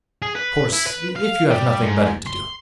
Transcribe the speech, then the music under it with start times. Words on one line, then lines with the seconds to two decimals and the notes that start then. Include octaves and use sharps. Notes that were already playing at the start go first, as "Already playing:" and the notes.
Of course, if you have nothing better to do.'
0.22 G#4
0.35 B4
0.72 E4
0.87 B4
1.16 F5
1.50 G3
1.83 G#2
2.27 C6